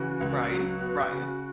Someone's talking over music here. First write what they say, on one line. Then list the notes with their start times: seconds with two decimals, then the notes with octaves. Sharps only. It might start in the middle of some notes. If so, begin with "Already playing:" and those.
Right, right.
Already playing: C#3 E3 F#4
0.21 C#2
0.51 F#3
0.81 B3
1.11 C#3